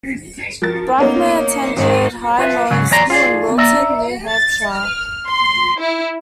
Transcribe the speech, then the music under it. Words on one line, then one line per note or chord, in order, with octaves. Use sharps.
Blackmer attended High Mowing School in Wilton, New Hampshire.
F3 A#4 A6
A#3 B3 C#4 D#4
D#2 G#2 D#3
F4 B4 D5 E5
G#2 C#3 F#3
E2 F#3 D5 A#5 C6
F4 G#4 D5
D5 E5 A#5
A6
F6
C6
E4